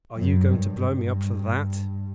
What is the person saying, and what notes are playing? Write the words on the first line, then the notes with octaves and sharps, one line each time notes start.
Are you going to blow me up for that?
F#2
G2
G2